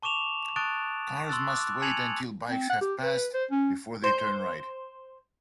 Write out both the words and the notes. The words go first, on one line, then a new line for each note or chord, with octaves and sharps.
Cars must wait until bikes have passed, before they turn right.
A5 C#6 D6 E7 F7
A5 C#6 D#6 F#6 A6 D7
C6 C#6 E6 F#6 A6
D6 F#6
G#5 A5 G#6 C#7 F7 F#7
C4
F#5
G4
B4
C5
C#4
C5